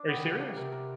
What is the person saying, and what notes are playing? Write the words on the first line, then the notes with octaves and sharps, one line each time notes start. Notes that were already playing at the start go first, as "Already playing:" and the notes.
Are you serious?
Already playing: D4
D#3 B3
D3 G4
C#3
D4
C3 A#4
A#4